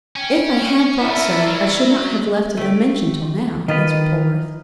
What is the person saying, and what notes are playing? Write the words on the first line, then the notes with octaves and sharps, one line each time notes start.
"If I had thought so, I should not have left it unmentioned till now," answered Polwarth.
C#4 G5
B3 E4 A4 A#4 D5
F#3
A3 G4
D#3 F4 B4 D#5